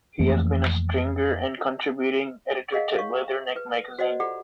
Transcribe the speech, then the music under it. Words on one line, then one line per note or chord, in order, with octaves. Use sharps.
He has been a stringer and contributing editor to Leatherneck Magazine.
F2 E3 A3 A#3
G#4 A#4 D#5 F5 F#5
C#5 F5 C#6
B4
F#4 C5 D5 D#5 F#5
F4 G4 A4 D5 F#5 B5